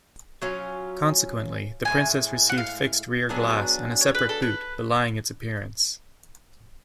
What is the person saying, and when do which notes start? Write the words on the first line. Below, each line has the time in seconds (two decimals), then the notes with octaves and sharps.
Consequently, the Princess received fixed rear glass and a separate boot, belying its appearance.
0.42 F#3 C#4 F4
1.85 A2 F3 G#3 G#5
2.49 F#5
2.58 F5
3.29 F#3 B3 D4 G#4
4.01 C#5
4.15 B4
4.29 A4
4.42 B4